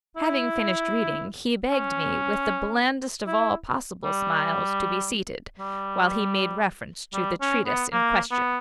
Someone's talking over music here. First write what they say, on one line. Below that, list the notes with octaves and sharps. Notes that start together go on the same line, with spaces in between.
Having finished reading, he begged me, with the blandest of all possible smiles, to be seated, while he made reference to the treatise in question.
E4
C#4
E4
G3
G3
G3
C#4
B3
A#3
B3